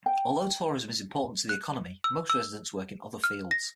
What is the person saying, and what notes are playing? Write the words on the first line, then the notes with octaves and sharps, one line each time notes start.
Although tourism is important to the economy, most residents work in other fields.
G5
F#6
E6
E6
F6
A#6